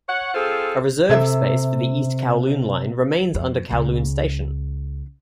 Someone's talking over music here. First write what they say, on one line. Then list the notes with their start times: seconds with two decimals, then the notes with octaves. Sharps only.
A reserved space for the East Kowloon Line remains under Kowloon Station.
0.07 C#5 F#5
0.33 C4 F4 G#4 A4 C5
1.09 C3 A4 E5
3.35 F2
3.71 C#2 C#4